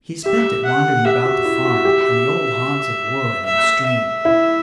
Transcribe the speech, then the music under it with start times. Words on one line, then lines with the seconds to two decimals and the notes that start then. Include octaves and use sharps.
He spent it wandering about the farm and the old haunts of wood and stream.
0.25 G4 E5
0.64 F#5
1.05 G4 E5
1.25 F#4
1.45 E4
1.65 F#4
1.85 G4
3.45 E5
3.86 E5
4.25 E4